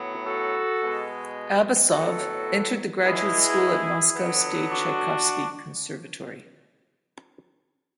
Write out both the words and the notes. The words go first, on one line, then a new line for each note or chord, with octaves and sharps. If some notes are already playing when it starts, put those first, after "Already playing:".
Abbasov entered the graduate school at Moscow State Tchaikovsky Conservatory.
Already playing: A2 F#3 B3
F#4 A4
B2 G#3 B3
A2 F#3 B3 F#4 A4
B2 G#3 B3 E4 G#4
D3 F#3 B3
D4 F#4